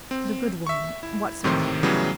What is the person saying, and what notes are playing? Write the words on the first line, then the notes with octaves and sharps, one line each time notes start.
The good woman--what's her name?
C4
E5 C#6
E4
G#1 A2 C3 D#3 C4 C6
A2 C#3 E3 F#3 G3 B3